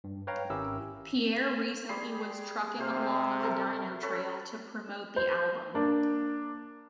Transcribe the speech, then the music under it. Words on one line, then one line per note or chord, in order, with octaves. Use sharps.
Pierre recently was "trucking along on The Dino Trail" to promote the album.
G2
B4 C#5 F5 G5 A#5
G#1 C#4 E4 G4 A#4 E6
G3 G#4 C6
C3 G#4 C5 F5
A3 A4 A#4
C#4 A4 B4
C5
A#3 D4